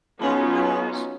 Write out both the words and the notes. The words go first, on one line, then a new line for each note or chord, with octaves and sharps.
Oh gosh.
F#3 B3 C#4 D#4 F4